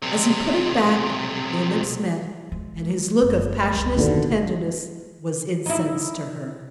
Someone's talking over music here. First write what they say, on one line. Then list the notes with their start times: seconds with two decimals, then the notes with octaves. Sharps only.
As he put it back their lips met, and his look of passionate tenderness was incense to her.
0.02 B1 C3
2.52 G#3
3.22 F#1
3.72 C#2
3.96 F#1 D#2 B2 D3
4.18 F1 C#3
5.66 D#4 E4